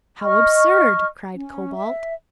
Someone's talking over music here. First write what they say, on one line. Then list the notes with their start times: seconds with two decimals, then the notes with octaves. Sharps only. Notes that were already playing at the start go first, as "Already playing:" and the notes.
"How absurd!" cried Cobalt.
0.22 D#5 C#6 F6
1.34 C#4
1.72 E5